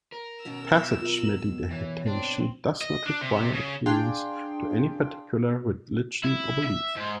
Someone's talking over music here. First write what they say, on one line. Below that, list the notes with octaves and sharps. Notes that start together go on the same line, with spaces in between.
Passage Meditation does not require adherence to any particular religion or belief.
A#4
B2 D#3 F#3 C#4 E6
F4
B3
E3 C#5
C4 D4
D#5
D4
C3
C#3
D4 G#4 F5 G5 C6
E4
E5
G#2